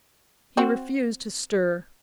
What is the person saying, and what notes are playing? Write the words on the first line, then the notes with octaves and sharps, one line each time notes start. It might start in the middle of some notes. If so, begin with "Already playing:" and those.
He refused to stir.
C4 F#4